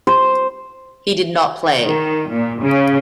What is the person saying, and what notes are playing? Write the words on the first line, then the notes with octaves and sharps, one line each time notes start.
He did not play.
C5
D#3
A#2
C#3